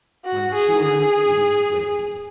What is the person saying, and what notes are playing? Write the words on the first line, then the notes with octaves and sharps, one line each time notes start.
When cured it is flaky.
F#4
G#4
G#4